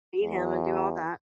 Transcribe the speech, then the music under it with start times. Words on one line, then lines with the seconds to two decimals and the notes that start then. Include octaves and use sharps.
feed him and do all that,
0.22 E2